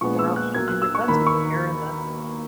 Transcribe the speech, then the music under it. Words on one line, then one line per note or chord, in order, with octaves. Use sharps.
were out shooting their guns in the air, and the
A#1 A#2 G#3 B3 C#6
E6
F#6
B1 B2 A#3 G#6
F#6
E6
C#6
D#2 D#3 A#3 B5
C#6